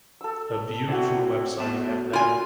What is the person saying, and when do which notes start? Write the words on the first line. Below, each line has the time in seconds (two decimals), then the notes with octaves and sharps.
A beautiful website you have there.
0.21 A4 E6
0.88 C4 D4 E4 F#4
1.60 A2 B3 A5
2.13 F4 A#4 G#5